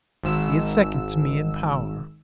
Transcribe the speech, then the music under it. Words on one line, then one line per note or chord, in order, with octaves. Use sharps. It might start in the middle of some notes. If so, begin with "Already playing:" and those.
He is second to me in power.
G#1 E6